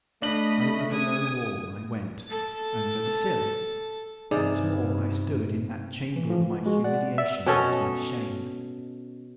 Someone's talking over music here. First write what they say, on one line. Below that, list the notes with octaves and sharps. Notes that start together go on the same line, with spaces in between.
Over the low wall I went, over the sill,--once more I stood in that chamber of my humiliation and my shame.
A3 D4 D#5 B5 F#7
G#5 D#6
A4 A5
G2 C3 D#4 G#4 D5
E3
F3
G#3 F#4
D5 F#5
D5 E5
B2 C#4 A4 D#5